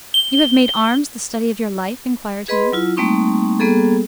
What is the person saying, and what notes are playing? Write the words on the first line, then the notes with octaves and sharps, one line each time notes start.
"You have made arms the study of your life?" inquired he.
G7
G#4 B4 D#5 B5 C6
F#3 E4 F4
G3 A3 A#3 C4 D#4 C#6
G3 A#3 B3 G#4 A4